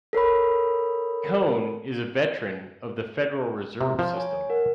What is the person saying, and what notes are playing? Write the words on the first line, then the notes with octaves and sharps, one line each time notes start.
Kohn is a veteran of the Federal Reserve System.
A4 A#4 C#5 B5
C3 A#5
F3
C#5 G#5
A#4 F#5